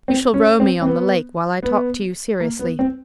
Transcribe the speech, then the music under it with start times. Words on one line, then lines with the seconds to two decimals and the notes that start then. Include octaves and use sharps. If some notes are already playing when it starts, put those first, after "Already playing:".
"You shall row me on the lake while I talk to you seriously."
0.08 C4
0.34 C#4
0.60 C4
0.82 C4
0.86 B3
1.63 B3
2.40 A#3
2.59 B3
2.79 C4